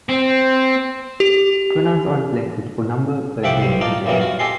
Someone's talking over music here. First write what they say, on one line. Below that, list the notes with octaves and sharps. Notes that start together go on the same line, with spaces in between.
Pronouns are inflected for number, person, and gender.
C4
G4
C2 F3 E5 F#5 G5 D6
B1 G3 C5
D#4 F4 D5 A5
F#2 A#2 E3 G3 A#3 B3
F4 F#4
G4 A4 D#5 G#5 C6